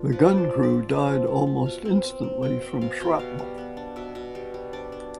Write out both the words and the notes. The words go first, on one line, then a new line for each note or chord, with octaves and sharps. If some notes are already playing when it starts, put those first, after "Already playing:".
The gun crew died almost instantly from shrapnel.
Already playing: B3 D4 F4
F3 B4
C4 D5
C5
C4
D5
F3
C4 E5
F3
F3
F3
B2 F5
C4
C4
C4
B2 G5
C4 G5
B2 F5
B2 G5
G3 F5
G3
B3
D4
B2 E5
B2
G3
G3
D4 D5
D4